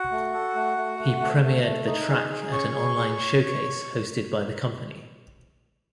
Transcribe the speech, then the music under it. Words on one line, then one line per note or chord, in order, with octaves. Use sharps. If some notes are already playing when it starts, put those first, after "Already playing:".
He premiered the track at an online showcase hosted by the company.
Already playing: F#4 F#5
A3
A4
A3
A3
A3
A3
A3
A3
D#4
G#4
G#4
C#4 C#5 C#6
G#4
G#4